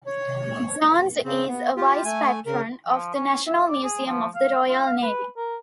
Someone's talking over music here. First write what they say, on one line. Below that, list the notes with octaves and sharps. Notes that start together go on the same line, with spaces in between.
Jones is a Vice-Patron of the National Museum of the Royal Navy.
C#5
C#3 C4
B3
F4 G4
A3 G#5
C#3 A#4
F3
C#4
E5
D5
G#4
F3
F5
F4
F5
B4
A#4